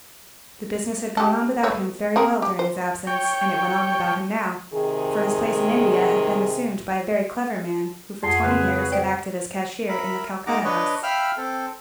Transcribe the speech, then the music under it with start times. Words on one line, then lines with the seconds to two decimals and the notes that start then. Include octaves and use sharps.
The business had gone on without him very well during his absence, and it went on without him now, for his place in India had been assumed by a very clever man, who for twenty years had acted as cashier in the Calcutta house.
1.17 G4 A4
1.63 B3 A4 C#5
2.16 C4 G#4 A#4
2.42 G4
2.59 C5
3.07 C#5 G5
4.74 C3 D#3 G#4
8.23 F2 G#4 F#5 C6 C#6
8.43 C#3 G#3 C4 B4
8.68 F#3 B3 F#4 F5
8.92 C5 D5 G5
9.89 A#4 E5 B5
10.47 G#3 D#4 F#5 A#5 D6
10.64 D4 B4 C#5 D#5
11.03 E5 F5 G5 B5 E6 F6
11.37 C4 A4